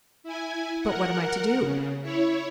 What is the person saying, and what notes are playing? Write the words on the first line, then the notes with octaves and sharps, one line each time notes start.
"But what am I to do?"
E4 G#5
A#4 F#5
C#3
E4 C#5